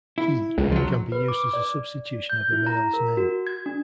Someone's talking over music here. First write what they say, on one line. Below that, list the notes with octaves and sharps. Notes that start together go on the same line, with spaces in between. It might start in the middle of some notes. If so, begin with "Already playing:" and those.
"He" can be used as a substitution of a male's name.
E4
C#2
F3 F#3
B4
D6
D5
G6
E4
A#5
A#4
F#4
G#6
D4